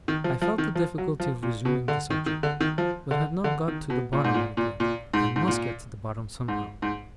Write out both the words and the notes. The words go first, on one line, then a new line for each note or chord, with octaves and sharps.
I felt the difficulty of resuming the subject, but had not got to the bottom of it yet, and must get to the bottom somehow.
D#3
F3
F3
D#3
F3
F#3
F3
A#2
B2
D3
D#3
D#3
D3
D#3
F3
D3
D3
D#3
B2
A#2
G#2
A#2
A#2
A#2
G#2
G#2
A#2
G#2
G#2